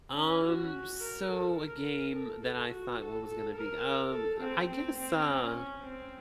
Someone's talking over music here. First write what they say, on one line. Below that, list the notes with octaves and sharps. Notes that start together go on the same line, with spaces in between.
Um, so a game that I thought was gonna be, um I guess, uh,
C#4
F#4
A#4
A4
A#4
A4
A4
F#4
A4
A4
A#4
A4
C4
C4
C4
C#4
C4